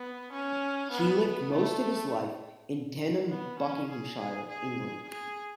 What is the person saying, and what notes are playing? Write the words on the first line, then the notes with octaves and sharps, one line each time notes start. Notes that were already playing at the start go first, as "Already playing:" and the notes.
He lived most of his life in Denham, Buckinghamshire, England.
Already playing: B3
C#4
B3
A3
B3
C#4
G#4
G#4
G#4
G#4